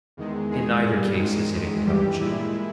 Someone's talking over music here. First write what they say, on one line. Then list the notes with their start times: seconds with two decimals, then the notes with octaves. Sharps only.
In neither case is it intelligent.
0.17 E2 D#3 G#3
0.51 E2 D#3 G#3 G#4
0.85 G2 G3
1.18 G#2 D#3 G#3
1.52 E2 D#3 G#3
1.86 G2 E3 G3 G4
2.20 A#2 G#3 E4